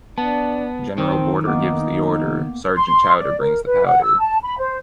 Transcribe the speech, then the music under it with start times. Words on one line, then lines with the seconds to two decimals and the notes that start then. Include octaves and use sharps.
General Border gives the order, Sergeant Chowder brings the powder.
0.18 B3 D4 A5
0.98 D#3 C4
1.45 A#3 B3 D#4 D6
2.75 C6
3.19 D5
3.40 A#4
3.66 B4
3.86 F#5
4.03 E6
4.19 A5
4.43 B5
4.58 C5